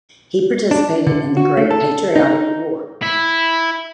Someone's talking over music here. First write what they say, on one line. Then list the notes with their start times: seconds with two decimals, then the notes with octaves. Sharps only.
He participated in the Great Patriotic War.
0.71 D4
1.07 D3
1.37 F#4
1.57 A3
1.71 A4
2.16 D#4
3.02 E4